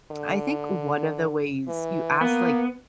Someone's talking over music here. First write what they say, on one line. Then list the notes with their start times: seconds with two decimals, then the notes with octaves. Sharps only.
I think one of the ways you ask, like,
0.12 D3
1.67 E3
2.21 A#3 B3